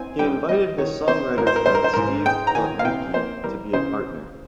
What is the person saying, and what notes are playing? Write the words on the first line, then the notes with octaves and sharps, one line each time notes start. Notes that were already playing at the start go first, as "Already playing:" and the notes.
He invited his songwriter friend Steve Plotnicki to be a partner.
Already playing: C4 G#5
G3 G5
G3 D#5
D#3 C#5
C3 C5
G#1 A#4
C5
A#4
G3 C5
A#4
C5
G#2 A#4
G#3 G5
A#5
D#3 G#5
F5
C3 G5
A#3 C5
G3 A#4
C#3 C5